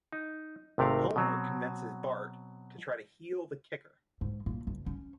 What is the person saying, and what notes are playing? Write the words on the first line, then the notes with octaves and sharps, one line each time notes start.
Homer convinces Bart to try to heal the kicker.
D#4
G#1 C3 A3 A#4 F5
B2 F#3 C4
G#2
A#2
F#1
C#4